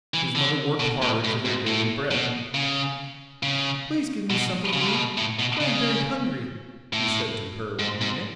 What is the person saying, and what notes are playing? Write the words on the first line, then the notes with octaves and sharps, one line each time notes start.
His mother worked hard for their daily bread. "Please give me something to eat, for I am very hungry," he said to her one evening.
E3
D3
B2
A2
A2
G#2
A2
B2
C#3
C#3
B2
C#3
D3
C#3
B2
A2
B2
C#3
A2
G#2
G#2